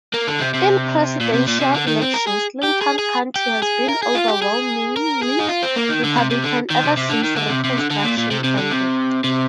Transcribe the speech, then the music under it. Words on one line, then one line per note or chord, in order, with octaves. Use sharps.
In presidential elections Clinton County has been overwhelmingly Republican ever since Reconstruction ended.
A#3
D3
C3
C3
A#2
C3
A#2
C3
D3
D#3
C4
A#4
G#4
G4
G#4
G#4
G4
G#4
A#4
G#4
F4
G4
G#4
A#4
G#4
D#4
F4
C4
A#3
D#3
D3
C3
C3
D3
D#3
C3
C3
D3
D#3
D3
C3
C3
D3
D3
A#2
A#2
C3
C3
D3
C3
C3